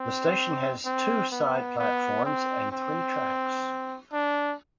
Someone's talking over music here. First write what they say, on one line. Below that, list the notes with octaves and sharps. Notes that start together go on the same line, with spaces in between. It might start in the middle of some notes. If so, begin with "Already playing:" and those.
The station has two side platforms and three tracks.
Already playing: C4
C4
B3
B3
C4
C4
D4